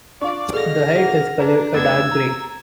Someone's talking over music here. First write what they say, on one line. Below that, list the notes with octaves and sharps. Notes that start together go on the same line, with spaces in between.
The head is coloured a dark grey.
D4 F4 D5 C#6
B2 G#4 A4 F6 A#6
B2 A#3 G#4 F#5
D4 B4 A5 A#5
F1 B3 E6 G#6 A6
A#5